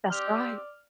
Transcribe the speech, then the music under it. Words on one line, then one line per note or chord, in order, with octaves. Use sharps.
That's right.
C4 G4 D5 F6 F7 G7